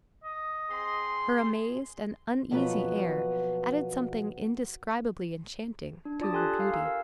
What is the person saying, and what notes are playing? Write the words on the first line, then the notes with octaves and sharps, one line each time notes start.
Her amazed and uneasy air added something indescribably enchanting to her beauty.
D#5
C4 G#4 C6
B2 F3 F#3 A#3 B3 B4
D4
F4 D5 A5 D6 D#6 A6
G4 A4 G#5 C6 D#6 F#6
F5
F5 G#5 A#5 E6
A#4